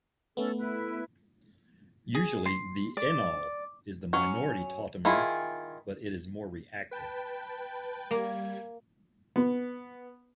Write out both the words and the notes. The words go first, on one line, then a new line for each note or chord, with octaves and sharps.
Usually the enol is the minority tautomer, but it is more reactive.
A3 B3 C#4 A4
E4 B4
G#4
C6
D5
F#3 C#4
D#3 E4 F4 G#4 B5
B4 G5 A5
G3 A#3 G#6
B3